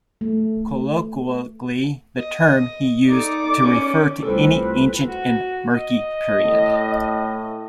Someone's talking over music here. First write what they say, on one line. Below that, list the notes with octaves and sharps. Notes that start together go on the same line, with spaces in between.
Colloquially, the term is used to refer to any ancient and murky period.
A3
D#5
D#4 A4 D5 D6
C#4
C2 A3 C4 E4 F4 A4 B4
F#4
D#5
A2